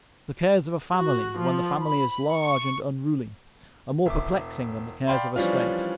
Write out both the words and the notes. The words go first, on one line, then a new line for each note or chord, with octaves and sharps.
The cares of a family, when the family is large and unruly, are more perplexing than the cares of a state.
F#4
F3
B5
C#6
E1 E5 D6
D5 F5 G5 B5 C6
E3 F3 G3 C#4 D4 F4